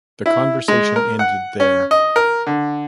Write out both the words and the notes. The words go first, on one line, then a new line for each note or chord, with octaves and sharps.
The conversation ended there.
E4
G#3
A#4
F#5
C#4
D#5
A#4
D3